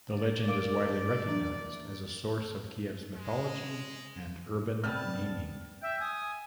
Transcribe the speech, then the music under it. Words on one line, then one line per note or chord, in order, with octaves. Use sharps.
The legend is widely recognized as a source of Kiev's mythology and urban naming.
D5
A#4 F5 D6 D7
G#2 A3
E3 A#3 D4
G#3
C3 G3 B3 A5 F6
E5 G5
G#5 D#6